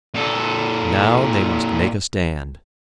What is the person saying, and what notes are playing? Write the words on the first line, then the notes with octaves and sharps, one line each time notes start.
Now they must make a stand.
A#2 A4